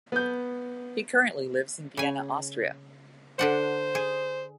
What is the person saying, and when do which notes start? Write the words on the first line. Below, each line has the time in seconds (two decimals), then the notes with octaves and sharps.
He currently lives in Vienna, Austria.
0.12 B3 G6
1.97 C#3 G#5
3.39 D3 D4 C5 F#5
3.95 G#4